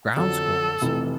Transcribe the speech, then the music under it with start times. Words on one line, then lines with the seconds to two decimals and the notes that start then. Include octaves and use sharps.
Ground squirrels?
0.16 F2 D3 F#3 A4
0.82 F1 F2 C3 E3 A3